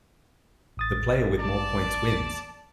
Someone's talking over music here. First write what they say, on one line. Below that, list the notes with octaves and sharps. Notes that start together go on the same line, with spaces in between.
The player with more points wins.
A1 D#6 A6
D5 A5